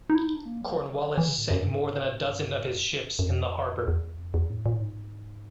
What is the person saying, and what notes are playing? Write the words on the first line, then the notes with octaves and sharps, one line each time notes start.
Cornwallis sank more than a dozen of his ships in the harbor.
D#4
E4
D#4
D4
A#3
F#3
E3
C#3
A2
F#2
G2
G#2
G2
F2
F#2
F#2
F2
E2
F2
E2
A2
A#2
A2
G#2